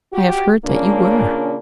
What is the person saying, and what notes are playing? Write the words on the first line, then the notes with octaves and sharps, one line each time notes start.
I have heard that you were.
F#4 G4
A#2 C#3 A#3 C#4 D4